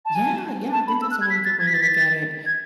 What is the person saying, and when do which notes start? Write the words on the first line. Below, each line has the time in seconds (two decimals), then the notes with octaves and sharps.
Yeah, yeah, I think that's a really good way to look at it.
0.05 A5
0.15 G#5
0.73 A5
0.87 B5
1.02 E6
1.11 F#6
1.21 G#6
1.30 B6
1.45 A6
1.60 G#6
1.67 B6
1.74 A6
1.82 B6
1.88 A6
2.46 G#6